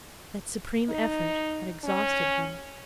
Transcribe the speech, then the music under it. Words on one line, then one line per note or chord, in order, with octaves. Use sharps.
That supreme effort had exhausted him.
D#4
C#4